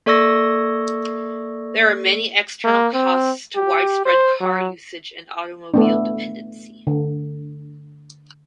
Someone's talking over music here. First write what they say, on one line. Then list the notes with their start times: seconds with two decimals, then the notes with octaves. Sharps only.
There are many external costs to widespread car usage and automobile dependency.
0.06 A#3 A4 D5 C#6 E6 A#6
2.65 A#3
2.94 C4
3.55 G4
4.05 C5
4.41 F#3
5.74 A3 B3 D4
6.87 D3